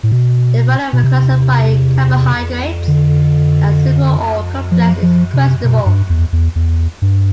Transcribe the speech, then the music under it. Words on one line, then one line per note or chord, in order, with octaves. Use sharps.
The value of classifying carbohydrates as simple or complex is questionable.
A2
B2
B2
C3
D3
F3
F3
C3
B2
G2
E2
E2
E2
G2